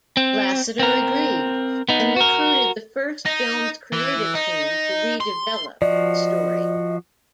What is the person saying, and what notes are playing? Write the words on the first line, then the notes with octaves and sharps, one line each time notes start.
Lasseter agreed, and recruited the first film's creative team to redevelop the story.
C4
C4 A#4
B3 D#4
F#4 A#4
D#4
E3
D#4
C6
F3 F#4 D5 D#5